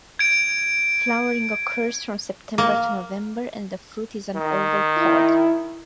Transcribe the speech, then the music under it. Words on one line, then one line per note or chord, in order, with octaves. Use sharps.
Flowering occurs from September to November and the fruit is an oval pod.
G#6 D7
A#3
D#3
E4